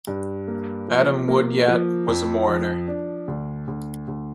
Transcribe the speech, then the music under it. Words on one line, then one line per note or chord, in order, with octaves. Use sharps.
Adam Woodyatt was a mourner.
G2
A#3
F3
A#3
F3
F2
F3
D4
D2
D2
D2